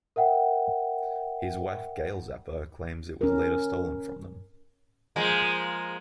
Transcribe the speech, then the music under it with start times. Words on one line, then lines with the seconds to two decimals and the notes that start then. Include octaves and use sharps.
His wife Gail Zappa claims that it was later stolen from them.
0.16 A#4 E5 F#5 G5
3.21 C#4 A#4
5.16 F3 G#3 A#3